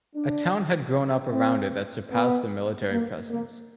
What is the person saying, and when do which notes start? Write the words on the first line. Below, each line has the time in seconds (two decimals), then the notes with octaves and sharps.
A town had grown up around it that surpassed the military presence.
0.14 D4
1.31 C4
2.10 B3
2.89 A#3
3.28 A#3